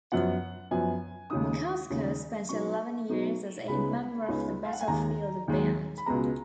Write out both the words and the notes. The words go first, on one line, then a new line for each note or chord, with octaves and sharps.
McCusker spent eleven years as a member of the Battlefield Band.
F#2 F3 B3 F#5
F#2 F3 B3 G#5
D#2 C#3 G#3 D#4 D#6
D#2 C#3 G#3 D#4
B2 F#3 B3 D#4 C#6
B2 F#3 B3 D#4
C#2 C#3 G#3 B3 D#4 B5
C#2 C#3 G#3 B3 D#4
F5
F#5
G#5
D#2 D#3 G#3 A#5
D#2 D#3 G#3
B5
C#2 B2 G#3 B3 A#5